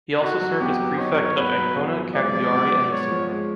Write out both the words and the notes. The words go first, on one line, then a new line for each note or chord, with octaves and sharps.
He also served as prefect of Ancona, Cagliari, and Messina.
D#4 F#4
F#3
B3 G4
F#3
D#4 C#5
F#3
B3 B4
F#3
B3
F3
G#3 D5
F3
B3
F3
G#3 C#5
F3
G#3